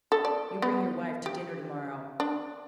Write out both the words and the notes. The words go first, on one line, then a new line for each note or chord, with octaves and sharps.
You bring your wife to dinner to-morrow.
A4
D5
B3
G4
D4